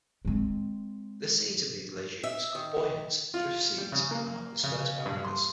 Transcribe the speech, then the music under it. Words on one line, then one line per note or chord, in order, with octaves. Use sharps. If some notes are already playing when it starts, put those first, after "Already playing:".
The seeds of these legumes are buoyant drift seeds, and are dispersed by rivers.
G#3 C4
E5
D#3
F4
G3
C#3
A#3
C#3
G2
C6